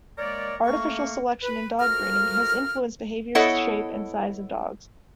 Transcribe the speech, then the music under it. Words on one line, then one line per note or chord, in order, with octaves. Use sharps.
Artificial selection in dog breeding has influenced behavior, shape, and size of dogs.
D#3 G#3 A#3 A#4 C#5 D5
A3 A#3 C#6
B4
F2 F#4 A#4 F5 A#5 F6
B3 E4 A4 C#5 D#5 F#5